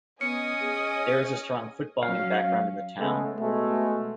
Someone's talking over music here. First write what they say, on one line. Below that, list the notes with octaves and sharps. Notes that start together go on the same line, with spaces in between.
There is a strong footballing background in the town.
B3 C#4 D#5 G#5 D#6 C#7
G#4
F#3 C#4 F5
C#3 G#3 A3 B3
B2 G#3 A3